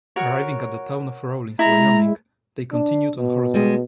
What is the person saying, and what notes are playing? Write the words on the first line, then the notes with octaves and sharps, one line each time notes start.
Arriving at the town of Rawlins, Wyoming they continued on horseback.
F#4 A#4 C#5
G#3 E4 A#5
D4
B2
G3 G#3